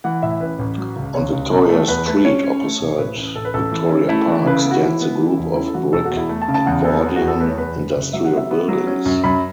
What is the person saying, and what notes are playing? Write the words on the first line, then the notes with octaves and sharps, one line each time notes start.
On Victoria Street opposite Victoria Park stands a group of brick Edwardian industrial buildings.
E3 F#5
A2 E5
A1 B4
A1
F#3
C#2
C#2 C#5
C#2
B2
A3
E2 B4
A3 B4
C#4 C#5
C#4
A3
B1
A2 B4
A1
A1 A4
B4
A1 A4
E3
C#4
A3 E4
E3
C#3 B4
A4
B3
F#4
E3 E4
B3
E3
E2
C#4 E4
A4
E3 F#4
E1 A4
F#4
E2
E4
A3
A5
C#3
A5
E2 F#5
B3 A4
B3
F#4
E2
A4
A3 B4
C#5
E2 B4
F#1
F#1
F#3 E5
F#5
B3
E5
B3
F#3
C#4
F#2
F#2 B5